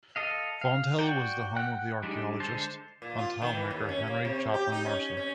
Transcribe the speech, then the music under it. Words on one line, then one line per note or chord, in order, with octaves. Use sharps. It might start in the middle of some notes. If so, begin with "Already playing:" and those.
Fonthill was the home of the archeologist and tile maker Henry Chapman Mercer.
A4 D#5 F5
F5
F#4 D5 G5
F#5 G5 F#6
G3 G#3 D4 D#4
D3 G#3 C5 A5
A#2
F4
D#3
E3
D#2
C#4
A#3
C3
G4
D#4
C#4
C#4